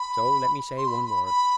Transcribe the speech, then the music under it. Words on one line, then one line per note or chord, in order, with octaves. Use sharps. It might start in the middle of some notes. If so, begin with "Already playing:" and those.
So let me say one word.
Already playing: B5
C6
B5
B5
B5